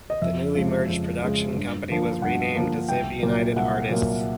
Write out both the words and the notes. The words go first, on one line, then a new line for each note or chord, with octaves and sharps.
The newly merged production company was renamed Ziv-United Artists.
D#5
F2 E5
C#3 F3 G#3
F2
C#3 F3 G#3
G2
D3 F3 A#3
G2 F#5
D3 F3 A#3
C2 G5
A#2 F#3 A#3
C2 F#5
A#2 F#3 A#3